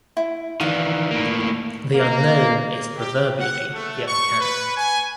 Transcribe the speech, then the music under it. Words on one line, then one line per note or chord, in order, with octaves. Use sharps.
The unknown is proverbially the uncanny.
E4
D#3 E3 D5 F5
A2 A#3
A#3
G4
F#5
A3
C#6
B4
G#5